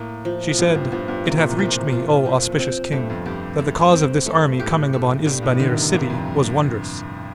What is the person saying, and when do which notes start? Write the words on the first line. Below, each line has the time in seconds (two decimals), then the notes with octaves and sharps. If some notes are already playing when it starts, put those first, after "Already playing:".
She said, It hath reached me, O auspicious King, that the cause of this army coming upon Isbanir city was wondrous.
Already playing: A2 A#3
0.25 F3
0.48 A2
0.58 G2 F4
0.75 G2
0.92 G2 F3
1.08 G2
1.25 C3 A#3
1.38 A#2
1.48 A2
1.59 A#2 F3
1.92 F4
2.26 F3
2.59 C4
2.92 G2 A3
3.10 F2
3.26 G2 G4
3.59 A3
3.93 C4
4.26 A3
4.59 A2 G4
4.93 A3
5.26 G2 G3
5.43 A2
5.60 D3 D#3
5.76 C3
5.93 G2 A#3
6.10 F2